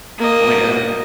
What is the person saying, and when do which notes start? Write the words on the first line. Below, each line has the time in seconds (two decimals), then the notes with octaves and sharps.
Oh, yeah.
0.18 A#3 D#5